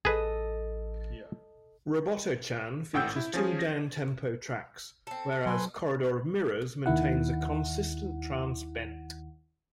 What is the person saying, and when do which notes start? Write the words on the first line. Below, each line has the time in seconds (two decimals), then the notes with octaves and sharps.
"Robot-O-Chan" features two down-tempo tracks, whereas "Corridor of Mirrors" maintains a consistent trance bent.
0.05 A1 G#4 A4 B4 D#5
2.94 G#1 A2 F#5 G5 E6 G6
3.16 E4
3.34 F3 C#4 G#4
3.59 A#6
5.07 C4 A4
5.46 F#3 B4 G#5 C6
6.86 D#2 D#3 E4 F#5